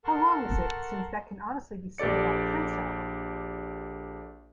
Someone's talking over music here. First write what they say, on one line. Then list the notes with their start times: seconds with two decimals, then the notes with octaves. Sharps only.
How long is it since that can honestly be said about a Prince album?
0.05 A4 A#4 F#5 A5 C6 C#6
1.98 A#1 G4 A4 D5 C#7